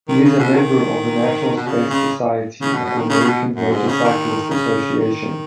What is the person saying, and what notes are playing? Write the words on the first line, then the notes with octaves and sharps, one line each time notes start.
He is a member of the National Space Society and American Motorcyclist Association.
D#3
C#3
B2
D#3
B2
C#3
C#3
C#3
B2
B2
D#3
C#3
C#3
B2
F#2
G#2
C#3
D#3
C#3
D#3